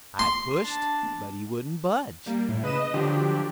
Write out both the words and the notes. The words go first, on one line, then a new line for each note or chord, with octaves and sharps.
I pushed, but he wouldn't budge.
C6
D4 A5
G3 A#3
A2
C#3 B4 D#5 D#6 D#7 E7
D#5
D3 F3 F#3 D4 G4